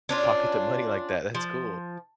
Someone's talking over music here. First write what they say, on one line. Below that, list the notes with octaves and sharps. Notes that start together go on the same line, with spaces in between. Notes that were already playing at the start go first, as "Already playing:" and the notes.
Pocket the money like that, that's cool.
C#4 D4 F4
F3